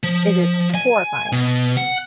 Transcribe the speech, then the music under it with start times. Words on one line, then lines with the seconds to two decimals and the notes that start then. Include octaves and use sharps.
It is horrifying.
0.03 F3
0.75 G#5
1.32 B2
1.77 F#5